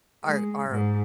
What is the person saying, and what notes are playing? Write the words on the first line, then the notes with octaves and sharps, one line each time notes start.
our our
G#3
G#2